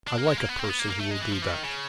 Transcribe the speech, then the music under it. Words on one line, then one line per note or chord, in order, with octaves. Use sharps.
I like a person who will do that.
D4
A#3
G#3
A#3
B3
C4
A#3
B3
A#3
A#3
A3
G#3
E3
F3
E3
D#3
C#3